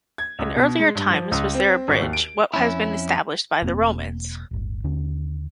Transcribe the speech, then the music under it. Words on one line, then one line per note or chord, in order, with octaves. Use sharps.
In earlier times was there a bridge, what has been established by the Romans.
G#6
C#2
B2
G#3
G2
F3
C#2
C4
G#1
D#2
D7
F2 C#4 E4
E1 A#3 C4
D1 G1
D#2 D3 C#4